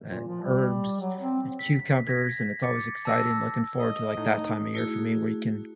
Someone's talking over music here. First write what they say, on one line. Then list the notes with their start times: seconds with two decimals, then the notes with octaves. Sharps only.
and herbs and cucumbers, and it's always exciting looking forward to, like, that time of year for me where you can
0.06 A#2
0.27 F3
0.42 G3
1.01 F#3
1.19 C4
1.59 B6
2.07 G#6 A#6 B6
2.62 D6 A6 C#7
3.05 A5 E6 A#6
3.79 D#5
4.17 A2 D#4
4.74 A3 E4 F#4 G#4